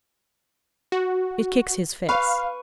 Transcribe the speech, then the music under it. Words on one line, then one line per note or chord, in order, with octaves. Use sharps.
It kicks his face.
F#4
B4 F5 C#6